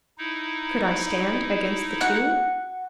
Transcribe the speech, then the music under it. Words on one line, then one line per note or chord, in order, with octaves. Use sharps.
Could I stand against the two?
D#4 E4
F#4 F#5